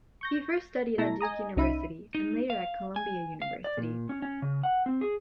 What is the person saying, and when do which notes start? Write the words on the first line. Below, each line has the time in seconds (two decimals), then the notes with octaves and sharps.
He first studied at Duke University, and later at Columbia University.
0.21 C#6 G6 A#6
0.98 B2 A3 E4 A5 A#5 A#6
1.21 D#5 G#5 A#5 D#6
1.57 C2 C#4 D#4 E5 B5 D#7
2.15 D#4
2.50 F5
2.96 G#5
3.42 F5
3.64 D5
3.77 A#2
4.09 C#4
4.22 C#4
4.42 C#3
4.63 F#5
4.86 C4
5.01 G#4